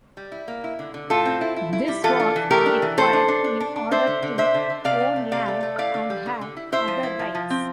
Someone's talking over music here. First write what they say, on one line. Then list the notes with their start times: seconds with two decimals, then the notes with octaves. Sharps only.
This was required in order to own land and have other rights.
0.17 G3
0.32 E4
0.48 A#3
0.64 E4
0.79 D3
0.94 D3
1.10 A2 F4 A4
1.25 C4
1.41 E4
1.56 E4
1.73 E4
1.88 G3
2.04 E3 F4 A4
2.20 D4
2.36 E3
2.50 A3 G4 A#4
2.66 D4
2.82 E3
2.97 A3 A4 C5
3.13 D4
3.28 D4
3.44 D4
3.60 D4
3.76 D4
3.91 D4 C5 E5
4.07 D3
4.22 D3
4.38 D4 C5 E5
4.54 D3
4.70 D3
4.84 C3 D5 F5
5.00 C3
5.16 A3
5.31 C3 D5 F5
5.48 A3
5.63 A3
5.78 E4 D5 F5
5.94 D3
6.10 G3
6.26 D3
6.41 D3
6.57 E4
6.72 E4 C5 E5
6.88 F3
7.03 E4
7.19 F3
7.35 F3
7.50 C4